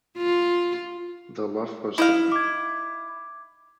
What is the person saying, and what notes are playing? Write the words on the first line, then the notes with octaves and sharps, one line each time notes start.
The love was there.
F4
D#4 E4 D#5 F5
D6 G#6